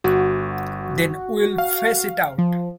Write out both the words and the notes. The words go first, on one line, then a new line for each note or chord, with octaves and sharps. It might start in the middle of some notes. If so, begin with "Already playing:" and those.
Then we'll face it out.
G1 F#4
F5
F3